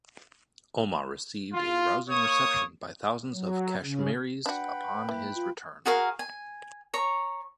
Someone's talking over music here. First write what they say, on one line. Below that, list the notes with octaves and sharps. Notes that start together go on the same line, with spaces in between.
Omar received a rousing reception by thousands of Kashmiris upon his return.
F4
A#3 C#5 C#6 D#6
F#3
C#3
D4 F#4 B4 F#5 G5 B5
E3 A#3
F4
F#4 G#4 A#4 F5
G#5
C#5 A#5 C#6